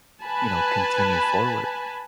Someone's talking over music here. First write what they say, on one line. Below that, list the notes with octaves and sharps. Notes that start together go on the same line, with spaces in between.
you know, continue forward,
B4 G#5 A5 B5